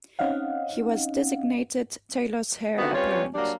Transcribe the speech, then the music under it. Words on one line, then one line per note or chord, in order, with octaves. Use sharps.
He was designated Taylor's heir-apparent.
C4 C#4 D#4 D#5 F5 F#5
D3 D#3 F3 B3 C4 F#4
G3 C4 C#4 F4 B4 C#5
F#3 G3 A#3 D4